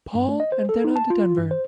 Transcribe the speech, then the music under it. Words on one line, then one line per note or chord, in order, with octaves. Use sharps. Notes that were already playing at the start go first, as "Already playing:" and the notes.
Paul and then on to Denver.
G2
A3
D#5
C5
A4
D#4
A5
F4
G2
C5